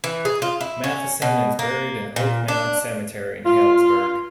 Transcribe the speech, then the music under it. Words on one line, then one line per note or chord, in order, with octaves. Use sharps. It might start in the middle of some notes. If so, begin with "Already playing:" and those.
Matheson is buried in Oak Mound Cemetery in Healdsburg.
E3
G#4
F4
E4
C#4
B2
A#3
A#2
D4
F4